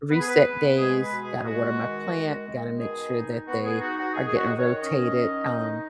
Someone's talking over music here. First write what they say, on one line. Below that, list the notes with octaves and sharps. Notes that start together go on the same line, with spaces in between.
reset days, gotta water my plant, gotta make sure that they are getting rotated, um,
B3 B4
G#4
B4
B3
G#3 G#4
B4
B2
G#4
G#3 F#4
D#3
G#3
D#3
B2 G#4
D#4
B3 F#4
G#4
D#4 F#4
F#4
D#3 G#4
G#4
F#4
D#3
C#5
C#4 D#5
D#3
D#4